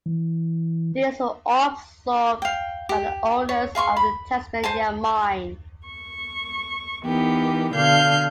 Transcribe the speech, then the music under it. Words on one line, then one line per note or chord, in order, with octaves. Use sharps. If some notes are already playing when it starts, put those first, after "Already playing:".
These were all absorbed by the owners of the "Tasmania mine".
E3
F5 G5
G4
C#5
G#4 F5 C6 C#6
B5
C5 G#5 A5
C#6
E3 B3 D#4 G4 A#4
B2 D3 F5 F6 G6 G#6